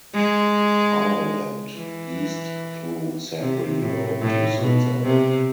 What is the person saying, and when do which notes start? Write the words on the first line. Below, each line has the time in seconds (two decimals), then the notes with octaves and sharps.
Ireland east through Central Europe to Switzerland.
0.14 G#3
1.77 E3
3.40 C3
3.81 A2
4.22 A2
4.62 B2
5.03 C3